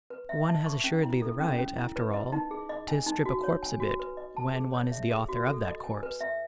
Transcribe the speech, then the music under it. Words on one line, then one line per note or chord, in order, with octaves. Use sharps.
One has assuredly the right, after all, to strip a corpse a bit when one is the author of that corpse.
B4
E5
A5
C#6
C#4
E4
A4
C#4
C#4
E4
B4
D#5
D#4
G#4
D#5
G#5
D#4
F#4
C#5
G#5
F#4
B4
D#5
A5
G#4
C#5
E5
G#4
F#4
A4
D#5
G#5
B4
E5